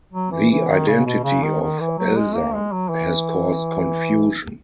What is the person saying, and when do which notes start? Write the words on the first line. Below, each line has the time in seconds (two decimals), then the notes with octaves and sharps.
The identity of "Elsa" has caused confusion.
0.13 F#3
0.31 E3
0.50 E3
0.69 D#3
0.87 C#3
1.06 B2
1.24 C#3
1.43 D#3
1.61 D#3
1.80 E3
1.98 F#3
2.17 G#3
2.35 A#3
2.54 G#3
2.72 F#3
2.90 E3